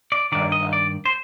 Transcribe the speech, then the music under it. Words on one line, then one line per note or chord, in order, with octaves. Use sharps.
Alright, bye.
D5
G2 D#3 D5
D#5
D5
C5